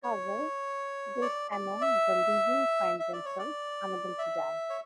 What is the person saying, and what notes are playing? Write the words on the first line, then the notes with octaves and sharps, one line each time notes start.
However, those among the living find themselves unable to die.
C#5
D5
D5
E5
E5
D5
C#5
D5
E5
C#5